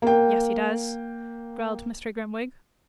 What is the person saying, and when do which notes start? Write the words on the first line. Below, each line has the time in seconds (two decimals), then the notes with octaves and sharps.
'Yes, he does,' growled Mr. Grimwig.
0.02 A#3 G5